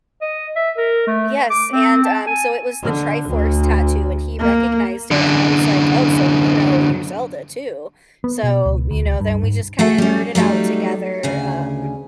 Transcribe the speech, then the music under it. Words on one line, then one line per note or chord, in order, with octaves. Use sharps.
Yes, and, um, so it was the Triforce tattoo and he recognized it, and I was like, "Oh, so you know your Zelda, too?" So, you know, then we just kind of nerded out together, um
D#5
E5
A#4
A3
D6
C4
A5
G#5
D3
D2
A#3
F#2 D3
B3
B2
C#2
D2
C#2
G2
G#2
A3 F#4 G#4 E5
G3 C#4
F#3 G3 A3 D#4 G4
D2 C#3 G#5